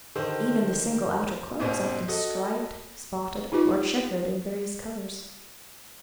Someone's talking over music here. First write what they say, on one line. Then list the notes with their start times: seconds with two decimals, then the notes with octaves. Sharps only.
Even the single outer cloak was often striped, spotted, or chequered in various colours.
0.15 D3 D#3 G4 C5
1.59 G#1 G#2 B2 C4 C#4 C5
2.08 F#4 A4 D#5 A5
3.52 D#4 F4 G4 B4